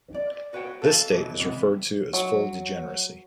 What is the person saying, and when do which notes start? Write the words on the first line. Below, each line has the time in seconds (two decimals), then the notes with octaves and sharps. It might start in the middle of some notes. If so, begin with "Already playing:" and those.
This state is referred to as full degeneracy.
0.15 D5
0.53 F#4 B4 C#5 F#5 G5
0.82 A4 F5 F#5 A5
1.10 D#2 B2 E3 F#3
1.39 B1 C3 E3 G#3 B3
2.13 F#3